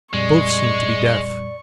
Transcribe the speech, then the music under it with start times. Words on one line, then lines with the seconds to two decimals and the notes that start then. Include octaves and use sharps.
Both seemed to be deaf.
0.13 F2 A#2 G3 G#3 D5 C#6